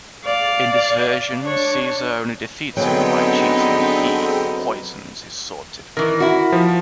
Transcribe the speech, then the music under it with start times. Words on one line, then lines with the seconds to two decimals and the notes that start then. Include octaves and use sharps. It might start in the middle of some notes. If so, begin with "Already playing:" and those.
In this version Caesar only defeats him by cheating-he poisons his sword-tip.
0.24 D5 F5
1.42 D4 C#5
2.77 D3 F#3 B3 C4 D#4 G#4 G5
5.97 D#3 E3 A#4
6.20 E4 F#4
6.52 F3